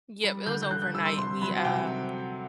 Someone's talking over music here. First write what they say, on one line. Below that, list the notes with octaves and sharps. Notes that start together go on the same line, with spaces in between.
Yep, it was overnight. We, um
G3
D3 G6
G6
D3 F#6
F#6
G3 E6
C6
C3 C6
F#3 B5
F#5
C3 G5